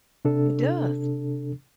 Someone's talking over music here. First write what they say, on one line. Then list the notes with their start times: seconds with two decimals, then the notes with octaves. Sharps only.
It does.
0.25 C3 D4 A4